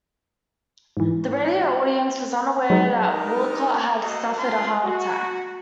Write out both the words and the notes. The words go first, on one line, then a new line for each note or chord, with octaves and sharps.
The radio audience was unaware that Woollcott had suffered a heart attack.
G#2 E3
F#3 G#3 D#4
B3 D4 D#4 G4 A#4
A3 A#3 F#4 A4 C5 D#5
C#4 F4 F5 G#5 C6
F#4